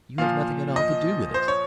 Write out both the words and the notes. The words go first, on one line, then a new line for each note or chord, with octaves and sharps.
"You have nothing at all to do with it."
A#2 F3 F5
D#5
C5
C#5